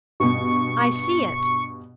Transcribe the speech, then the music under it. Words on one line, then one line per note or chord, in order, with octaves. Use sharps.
I see it!
G2 B2 C#6